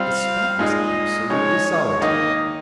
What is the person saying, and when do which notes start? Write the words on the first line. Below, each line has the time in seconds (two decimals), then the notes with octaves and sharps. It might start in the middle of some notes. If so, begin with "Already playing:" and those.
The spot was absolutely solitary.
Already playing: G3 C4 F4 F5
0.59 A#2 G#3 D#4 D#5
1.30 F3 G#3 D#4 C#5
1.66 C#5
2.01 D#3 A#3 D#4 D#5